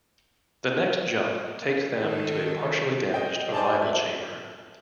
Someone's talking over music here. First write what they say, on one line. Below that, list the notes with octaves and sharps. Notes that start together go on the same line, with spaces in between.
The next jump takes them to a partially damaged arrival chamber.
D#3 D#4 A4
D#5 G5
C5 D5 G#5 A5
E5